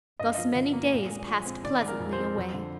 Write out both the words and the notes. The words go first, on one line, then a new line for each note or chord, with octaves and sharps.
Thus many days passed pleasantly away.
G2 D#5
F5
F3 D#5
G1
A#3
A#2
G#3
A#1
C4
D#3 D5
G#3
A#4
F2
C5
C4
F2
D3